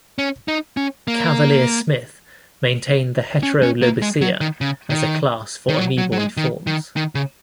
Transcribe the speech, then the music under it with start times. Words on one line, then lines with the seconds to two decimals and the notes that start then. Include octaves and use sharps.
Cavalier-Smith maintained the Heterolobosea as a class for amoeboid forms.
0.18 C#4
0.48 D#4
0.77 C#4
1.08 A#3
3.43 C#4
3.63 C#4
3.82 A#3
4.02 G#3
4.21 F#3
4.41 D#3
4.61 C#3
4.90 D#3
5.69 D#3
5.79 F#3
5.98 F#3
6.12 F#3
6.18 G#3
6.37 D#3
6.67 D#3
6.97 D#3
7.15 C#3